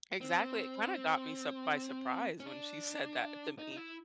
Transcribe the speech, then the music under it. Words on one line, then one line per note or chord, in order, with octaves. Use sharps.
Exactly. It kinda got me surp by surprise when she said that to me.
C4
C#4
D4
D#4
D#4
E4